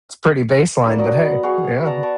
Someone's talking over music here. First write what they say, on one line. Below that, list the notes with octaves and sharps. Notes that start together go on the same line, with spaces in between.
it's pretty baseline, but hey, yeah.
A#3 D4 E4
F#3 D5 D#5 D6
B3 B5
F#4 G#4 F5 C#6
B3 D5 A5 A#5
A5 C#6 D6